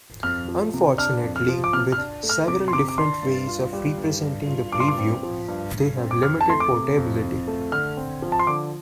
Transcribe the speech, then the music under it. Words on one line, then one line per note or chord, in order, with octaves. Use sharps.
Unfortunately, with several different ways of representing the preview, they have limited portability.
F2 F6
F3
C3
D4 F6
F2
F6
F3
D6
C3 F6
F6
D4
A3
F6
C3 D6
C6
C3 D6
D6
D4 C6
G2
F4
G3
G2
G2
F4
G2 D6
C6
D6
C4
F3
G2
G2
C4
D6
F2 F6
A5
A3 C6
D6
C3
F2
F2
A3
D3 F6
C4
F3
A5
C6
D3 D6